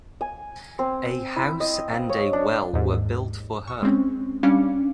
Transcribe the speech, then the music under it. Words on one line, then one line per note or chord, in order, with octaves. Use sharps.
A house and a well were built for her.
G#5
C4
E4
D#5
F5
C#5
D4
D#2 G#2
C#6
G#3 C4 C#4
G3 C#4 D4 F5 D6 C#7